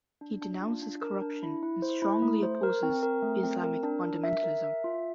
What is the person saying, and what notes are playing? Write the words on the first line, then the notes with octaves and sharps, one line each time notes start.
He denounces corruption and strongly opposes Islamic fundamentalism.
D4
D4
F4
D4
A#4
D4
E4
E4
C5
E4
A3
C5
A#4
C4
A#4
A3
C4
A#4
D4
A#4
E5
A#4
E5
F4